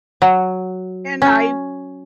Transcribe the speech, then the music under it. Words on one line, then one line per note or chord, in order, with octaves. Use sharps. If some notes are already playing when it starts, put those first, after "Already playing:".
and I
F#3
C#4